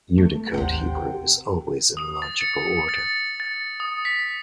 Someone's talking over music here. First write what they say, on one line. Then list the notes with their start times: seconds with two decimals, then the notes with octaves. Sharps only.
Unicode Hebrew is always in logical order.
0.18 A3
0.54 E1 A1 D#2 C3 F#5 G5
1.97 D#6
2.22 A6
2.41 C#7
2.89 A6
3.40 A6
3.80 D#6
4.05 B6